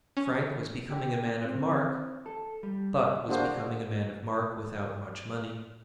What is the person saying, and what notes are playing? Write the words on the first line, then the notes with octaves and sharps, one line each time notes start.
Frank was becoming a man of mark,--but was becoming a man of mark without much money.
C#4
G4
C4
A4
G3
A#3 D4 F#4 G#4 C5